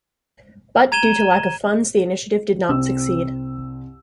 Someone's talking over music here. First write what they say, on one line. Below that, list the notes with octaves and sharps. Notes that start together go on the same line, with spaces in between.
But, due to lack of funds, the initiative did not succeed.
A#5 G#6 D#7 E7 G7
C2 C4 E6